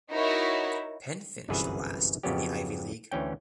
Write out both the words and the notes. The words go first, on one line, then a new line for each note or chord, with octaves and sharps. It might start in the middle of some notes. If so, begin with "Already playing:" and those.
Penn finished last in the Ivy League.
D#4 E4 F#4 A#4 C#5
G1 C2 F#2 E3 G#4 B4
F2 C#3 F#3 B3 C#4 G4
D2 E3 C#4 G5